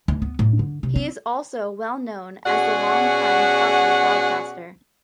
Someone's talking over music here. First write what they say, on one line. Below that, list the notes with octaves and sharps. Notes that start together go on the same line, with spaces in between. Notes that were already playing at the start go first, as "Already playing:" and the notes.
He is also well known as a long-time hockey broadcaster.
D2
B3
A2
D3
C3
C4
B2 C#4 F#4 G#4 D5 F#5